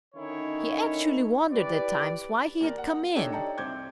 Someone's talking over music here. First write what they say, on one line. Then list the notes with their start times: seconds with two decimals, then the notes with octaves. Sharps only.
He actually wondered at times why he had come in.
0.15 D3 D#3 C#4 D#4 E4 C#5
1.51 E4 G4 B4 D5
2.60 D#2 A#4 D5
2.78 F#5
3.15 D4 D#4 G4 A4 C#5 D#5
3.32 D5 D#5 G5 A5 A#5 C#7
3.58 C2 C4 D6 G6 G#6